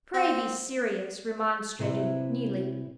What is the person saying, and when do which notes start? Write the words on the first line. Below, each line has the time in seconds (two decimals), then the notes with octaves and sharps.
"Pray be serious," remonstrated Neelie.
0.14 C4
1.79 C3 E4 B4